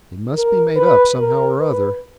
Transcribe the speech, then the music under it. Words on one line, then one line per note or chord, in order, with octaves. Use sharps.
"It must be made up somehow or other."
A#4
B4
A#4
B4